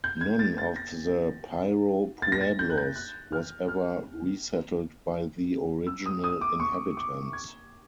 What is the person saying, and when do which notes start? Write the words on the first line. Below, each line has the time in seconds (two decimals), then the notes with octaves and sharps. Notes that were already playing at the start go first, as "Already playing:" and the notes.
None of the Piro pueblos was ever resettled by the original inhabitants.
0.04 G6
0.21 G#6
0.39 A6
0.58 A6
0.76 A#6
2.22 A6
2.32 A#6
2.41 A6
2.59 G6
2.70 F#6
2.78 G6
2.96 F#6
3.32 F6
3.68 F6
5.87 E6
6.06 D#6
6.24 D#6
6.41 D6
6.60 C#6
6.97 D6
7.33 G#6